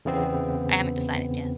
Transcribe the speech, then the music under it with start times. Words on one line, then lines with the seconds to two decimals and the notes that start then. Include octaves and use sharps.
I haven't decided yet.
0.05 E2 C#3 B3 C4